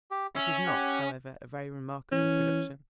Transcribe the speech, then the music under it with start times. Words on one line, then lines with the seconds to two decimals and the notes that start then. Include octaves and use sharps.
It is not, however, a very remarkable production.
0.11 G4
0.36 C#4 E5
0.67 G4 F#5
2.12 E3 C#4